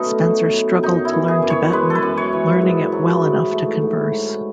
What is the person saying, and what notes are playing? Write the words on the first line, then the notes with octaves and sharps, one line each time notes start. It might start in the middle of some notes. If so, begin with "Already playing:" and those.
Spencer struggled to learn Tibetan, learning it well enough to converse.
Already playing: F#3 A3 B3 C#4 D#4
B2
F#3
F#2 D#4
E4
E3
G#4
F#2
C#5
G#3 B4
A4
B4
F#2
C#5
E3
G#2
F#3
G#2
A3
G#2
F#3